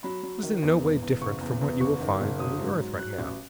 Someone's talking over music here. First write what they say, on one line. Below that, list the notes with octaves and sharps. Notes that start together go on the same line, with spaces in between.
It was in no way different from what you will find on the earth right now.
F#3 B5
F#3
D#3
E2
E1
E2
F#1 C#6
E2
E2
F#1 C#6
D#3
F#1
F#3 D#6
G#2
F#3
F#3 F#6
A1